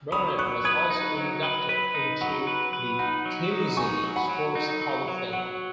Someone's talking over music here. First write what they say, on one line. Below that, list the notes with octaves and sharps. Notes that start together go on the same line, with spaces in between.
Barnett was also inducted into the Tennessee Sports Hall of Fame.
F#3 B5 D#6
F#3 C#6 F#6
B4 D#6 G#6
D#4
F#3
B4
B4
D#4
F#3 F#5 B5
B4
B4
D#4 F#5 B5
F#3
D#4
D#4 G#5 C#6
F#3
F#5 B5
F#3
D#4
F#3
F#3
F#3 F#5